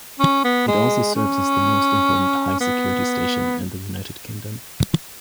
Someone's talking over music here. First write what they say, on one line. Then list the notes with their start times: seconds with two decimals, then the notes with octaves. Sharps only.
It also serves as the most important high-security station in the United Kingdom.
0.19 C#4
0.44 B3
0.67 G#3
1.15 C#4
2.60 B3